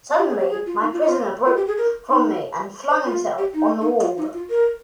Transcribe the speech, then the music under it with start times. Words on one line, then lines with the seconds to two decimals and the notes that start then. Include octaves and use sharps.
Suddenly my prisoner broke from me and flung himself on the wall.
0.18 G4
0.29 G#4
0.39 G4
0.50 G#4
0.66 F4
0.82 D#4
0.93 F4
1.04 F4
1.46 F4
1.56 G4
1.67 G#4
1.78 A#4
2.10 D#4
2.90 C5
3.06 F4
3.38 G4
3.54 D#4
3.81 D#4
4.02 F4
4.18 D#4
4.34 F4
4.50 A#4